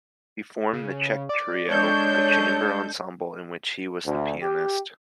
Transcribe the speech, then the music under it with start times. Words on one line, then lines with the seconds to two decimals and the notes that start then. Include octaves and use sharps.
He formed the Czech Trio, a chamber ensemble in which he was the pianist.
0.73 C#3
1.29 D5
1.69 G#3 D4 A4 C#5 G6
4.05 D2
4.43 G4